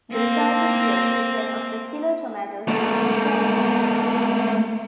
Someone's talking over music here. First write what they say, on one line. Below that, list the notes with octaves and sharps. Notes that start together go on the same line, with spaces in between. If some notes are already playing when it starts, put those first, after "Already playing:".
The resulting film, "Return of the Killer Tomatoes", was a surprise success.
A#3 C4
A3 A#3